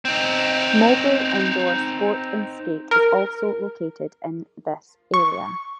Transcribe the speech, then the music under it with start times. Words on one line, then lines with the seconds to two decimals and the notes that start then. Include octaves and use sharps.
Mowbray Indoor Sport n Skate is also located in this area.
0.05 C4 D#4
2.91 A#4
5.14 C#6